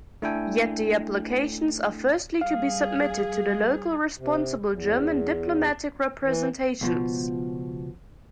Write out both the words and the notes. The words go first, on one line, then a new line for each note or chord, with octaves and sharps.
Yet the applications are firstly to be submitted to the local responsible German diplomatic representations.
A3 D4 E4 A4 G5 G#5
G3 G#4 F5
C3
E2
E3
C#2 B2 F3